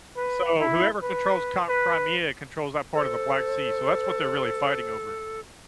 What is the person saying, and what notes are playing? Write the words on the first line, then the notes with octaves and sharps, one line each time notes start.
So whoever controls Cri Crimea controls that part of the Black Sea. So that's what they're really fighting over.
B4
E4
B4
B4
A4 C5